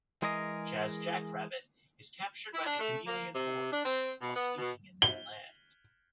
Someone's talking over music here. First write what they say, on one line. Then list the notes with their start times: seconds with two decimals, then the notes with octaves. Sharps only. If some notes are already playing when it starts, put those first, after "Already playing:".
Jazz Jackrabbit is captured by the chameleon hordes while sneaking in their land.
0.22 E3 G#3 G#4 A#4 D#5
2.54 E4
2.65 D4
2.79 A3
3.06 A#3
3.35 C3
3.72 D4
3.85 C4
4.21 B2
4.35 B3
4.57 B2
5.02 G7